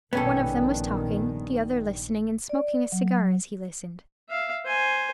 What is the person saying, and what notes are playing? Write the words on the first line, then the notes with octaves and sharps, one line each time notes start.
One of them was talking, the other listening, and smoking a cigar as he listened.
A#1 G2 B2 D#3 B3 C#4 A4
D5
F#3
E5 F5
C5 G#5